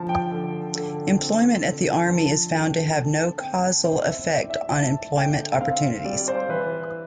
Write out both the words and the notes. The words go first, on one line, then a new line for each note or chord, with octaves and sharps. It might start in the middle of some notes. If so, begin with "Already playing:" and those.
Employment at the army is found to have no causal effect on employment opportunities.
Already playing: D3 F3 A5
G5
D3
D3
C4
D3
F3 A5
D3 G5
D3 A5
C4 G5
E4 C5
E5
E4 D5
E5
E4 A5
D3 G5
C4 F5
G3 D5
C5
E3 B4